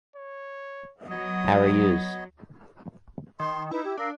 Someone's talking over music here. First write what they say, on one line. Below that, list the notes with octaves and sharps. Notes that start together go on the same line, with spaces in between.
How are youse?
C#5
F#3 B3 C#5 D#5 D#6
D#3 C6
D#4 E4 B4
G4
D4 A#4 F5 E6